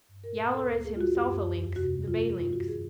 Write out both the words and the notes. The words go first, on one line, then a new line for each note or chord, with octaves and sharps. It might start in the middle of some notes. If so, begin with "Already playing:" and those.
Yowler is himself a Lynx, the Bay Lynx.
G2
A#2 A#4
A#2
D2 A4
D2
G3 G#4
F4
G3 F#4
F#2 G4
F#2
E2
E2
C3 F#4
G#3
F3 F4
G#3
G2 F4
F3 F#4
D#3 G#4